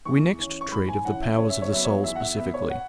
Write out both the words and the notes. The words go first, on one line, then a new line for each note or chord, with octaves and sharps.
We next treat of the powers of the soul specifically.
E2 C#6
E3 C#4
C#6
G#2 B5
G#5
E3 C#4 F#5
E5
C#3 C#5
E5
C#5
F#3 B3 E5
C#5
E2 E5
F#5
E5
B2 B3 E5
C#5
F#5